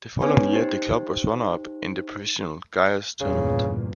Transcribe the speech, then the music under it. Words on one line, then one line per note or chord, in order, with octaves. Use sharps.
The following year, the club was runner-up in the professional Guayas tournament.
B3 C#4 D#4 B4 C#5 G#5
D#4 G4 C5
G1 E2 A#2 C#3